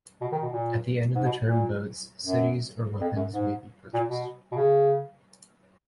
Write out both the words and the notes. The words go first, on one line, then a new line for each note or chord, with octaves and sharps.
At the end of the turn boats, cities, or weapons may be purchased.
B2
D#3
B2
A#2
G#2
B2
A#2
F#2
F2
F#2
G#2
A#2
B2
B2
C#3